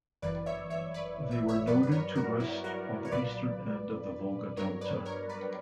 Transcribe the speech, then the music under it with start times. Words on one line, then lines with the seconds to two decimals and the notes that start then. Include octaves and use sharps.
They were noted to rest on the eastern end of the Volga delta.
0.22 G1 F#2 E3 A#3 B4 D5
0.46 C#5 E5
0.70 C#5 E5
0.94 B4 D5
1.31 E5
1.48 C#5 E5
1.67 G2 F#3 B3 B4 D5
1.83 B4
1.92 A#4 C#5
2.15 F#4 A#4
2.40 E4
2.64 F#4 A#4
3.05 C#5
3.12 B1 A#2 F#3 A#3 B4 D5
4.57 G2 F#3 B3 D4 A#4 C#5
4.81 B4 D5
5.05 A#4 C#5
5.29 B4 D5